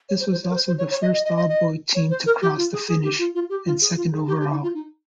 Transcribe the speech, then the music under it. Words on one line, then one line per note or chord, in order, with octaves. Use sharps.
This was also the first all-boy team to cross the finish, and second overall.
C#5
C5
C5
C#5
A#4
C5
C5
C#5
C#5
D#5
D#5
D#5
D#5
D#5
C#5
C5
A#4
G4
F4
G#4
G#4
G4
F4
F4
G4
F4
G#4
F4
G#4
G4
G4
D#4
F4
D#4